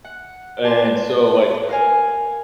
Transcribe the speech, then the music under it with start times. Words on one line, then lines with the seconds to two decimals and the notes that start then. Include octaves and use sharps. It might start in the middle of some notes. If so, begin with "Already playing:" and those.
And so, like,
0.05 F#5
0.64 G4 B4 A5 C6
1.69 A#4 F5 G#5